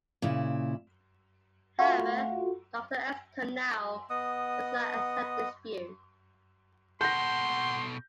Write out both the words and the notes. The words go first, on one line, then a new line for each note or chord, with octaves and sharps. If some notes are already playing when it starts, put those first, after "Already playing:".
However, Doctor S Konow does not accept this view.
A#2 C#3 E4
A3 F4 F#4
B3 D#5 F#5 D#6
B2 A4 F#5 C6 G6 A#6